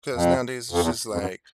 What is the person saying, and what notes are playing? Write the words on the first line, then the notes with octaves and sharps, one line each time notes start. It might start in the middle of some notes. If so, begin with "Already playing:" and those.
‘cause nowadays, it's just like,
F2
F2
E2
F2
F#2